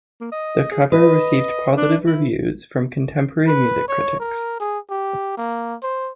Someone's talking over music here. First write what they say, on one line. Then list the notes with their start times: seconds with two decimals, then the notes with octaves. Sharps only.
The cover received positive reviews from contemporary music critics.
0.21 A#3
0.32 D#5
0.71 G#4
0.92 B4 D#5
1.77 D4
2.07 E4
3.47 B4
3.88 C#5
4.20 A#4
4.59 G#4
4.90 G4
5.37 A#3
5.83 C5